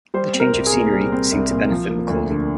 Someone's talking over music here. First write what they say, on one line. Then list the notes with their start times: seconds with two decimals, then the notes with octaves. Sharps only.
The change of scenery seemed to benefit McCauley.
0.14 G3 C5
0.34 C4
0.40 A#4
0.53 C2
0.66 G#4
0.73 A#2
0.92 G3
1.12 C4
1.32 C2
1.51 A#2
1.70 F3
1.89 A#3
2.10 D2
2.29 D3